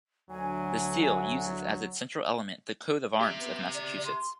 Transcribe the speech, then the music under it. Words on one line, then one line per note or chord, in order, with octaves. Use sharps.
The Seal uses as its central element the Coat of Arms of Massachusetts.
D2 F#3 G#5
G4 E5
B3
D5
C6